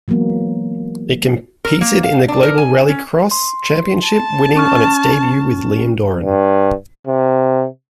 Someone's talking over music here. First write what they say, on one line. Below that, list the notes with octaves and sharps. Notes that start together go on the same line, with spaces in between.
It competed in the Global Rallycross Championship winning on its debut with Liam Doran.
E3 F#3 G#3 A#3 B3
A#4
A#3
F5
D4
A#4
G#5
C#4
C6
A5
C#4 C#6 F6
G2
C3